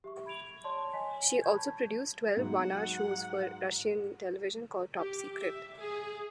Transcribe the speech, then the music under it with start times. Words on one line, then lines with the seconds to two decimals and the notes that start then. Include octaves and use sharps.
She also produced Twelve one-hour shows for Russian television called "Top Secret".
0.04 G4 E5 C#6
0.26 B5 G#6 D7 F7
0.64 C#5 D5 A5 C6 C#6
0.93 C#5 D#5 G#5 B6
1.42 A5 B5 C#6 G6 G#6
2.37 G#2 F#3 F#5
4.99 G4
5.36 E5
5.76 G#4